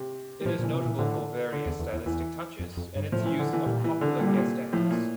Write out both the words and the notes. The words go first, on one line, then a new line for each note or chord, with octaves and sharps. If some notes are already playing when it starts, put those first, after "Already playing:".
It is notable for various stylistic touches, and its use of popular guest actors.
Already playing: C3
G3
A2 F3
A#2
E3
C3
A#2 E3
A2 D3
D3
E2
E2
E2
E2 E3
F2
F2
G2
A2 F3
E3
D3
E3
A#2 G3
E3
D3
A#2 G3
C3
A#2
A2 F3
A#2